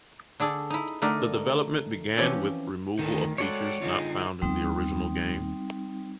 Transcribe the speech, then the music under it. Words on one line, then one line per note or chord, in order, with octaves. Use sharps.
The development began with removal of features not found in the original game.
D3 D4 G#4 A4
D#4 E4
D3 A3 D#4 A#4 D5 F#5
E3 F3 C4 C#4 G4 C#5
D2 D#3 D#4 A4 B4
G#3 F#4 A4 C#5 D5 F#5
D3 D#4 F4 G#4
D#2 G3 B3 C4 D#4